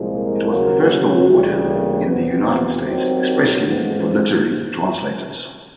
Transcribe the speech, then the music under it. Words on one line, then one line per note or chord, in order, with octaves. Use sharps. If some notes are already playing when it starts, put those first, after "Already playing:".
It was the first award in the United States expressly for literary translators.
Already playing: C2 A#2 F3 G#3
A#3
D#2 C#3 F#3 A#3
C#4
D2 C#3 E3 G3
A#3
E2 C3 F3 B3
D#2 D#3 F#3 C4
A1 G#2 F3 G#3 B3